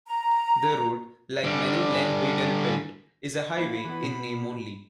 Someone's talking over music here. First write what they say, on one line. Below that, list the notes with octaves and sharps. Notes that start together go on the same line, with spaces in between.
The road, like many Len Beadell built, is a "highway" in name only.
A#5
D3 G3
A#3 E4 B5
E3 B3
B2